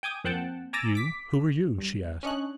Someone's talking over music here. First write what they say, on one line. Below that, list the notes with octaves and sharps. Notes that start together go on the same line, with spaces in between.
'You--who are you?' she asked.
G5 G#5 D6 D#6
F2 A#3 C4 F#5 G5 A5
G#5 A#5 D6 E6 A6 A#6
D6 B6
G2
C#4 D4 C#5 D#5 F#6